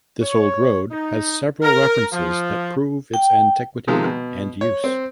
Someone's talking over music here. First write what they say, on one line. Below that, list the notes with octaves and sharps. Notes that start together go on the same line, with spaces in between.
This old road has several references that prove its antiquity and use.
C#5
D#4
A#4
F3
G5
C3 D#3 F3 G#3
B2
C#5
C4